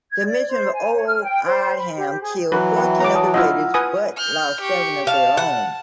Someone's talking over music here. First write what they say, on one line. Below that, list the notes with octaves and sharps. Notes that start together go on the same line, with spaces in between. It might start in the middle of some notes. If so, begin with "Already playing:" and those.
The mission O’odham killed fourteen of the raiders but lost seven of their own.
G#6
D5
C5
G#5
C#5
F6
G5
C5
B5
G4
G#4
E3 F#3 B4
E5 G5 B5
C#5 A#5 D6
A5 D#6
E4 F4 D#5 F#5 E6 F6
B4 G#5 D#6
F6 G6
G4 C#6
F5 A5
F#5